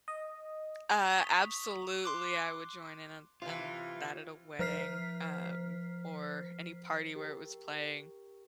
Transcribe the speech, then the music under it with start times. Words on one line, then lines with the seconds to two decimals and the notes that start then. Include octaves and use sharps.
Uh, absolutely I would join in on on that at a wedding, um, or any party where it was playing,
0.08 D#5
1.18 C#6 D#6 B6 F7
2.04 C6 D6 F#6
3.42 C3 E3 F4
4.59 F3 C5 F6 B6 C7
7.16 G4 A#4